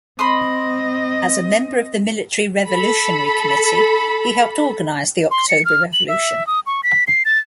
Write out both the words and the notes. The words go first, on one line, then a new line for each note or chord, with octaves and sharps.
As a member of the Military Revolutionary Committee he helped organize the October Revolution.
C4 D#5 B5 C6 D#6
A4 B5
C6
C#7
F6
F#7
E5
D#6
C#6
B6
C7
A6